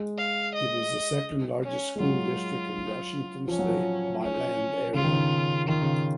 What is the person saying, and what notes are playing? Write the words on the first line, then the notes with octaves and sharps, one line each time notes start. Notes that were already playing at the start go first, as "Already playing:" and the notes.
It is the second largest school district in Washington State by land area.
Already playing: G#3
F5
D#5
C#4
G#3
F#3 F4
F3 C#4
F#3
F3
C#4
C#3 F4
D#3
C#3
D#3 F4
C#3